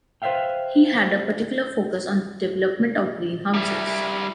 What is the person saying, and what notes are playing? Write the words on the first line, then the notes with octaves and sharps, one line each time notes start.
He had a particular focus on the development of greenhouses.
B4 C5 D5 E5 F5 G5
G3 E4